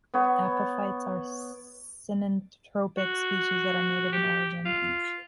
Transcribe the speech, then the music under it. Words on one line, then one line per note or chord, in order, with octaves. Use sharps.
Apophytes are synanthropic species that are native in origin.
B3 C#5
F#4
G4
F4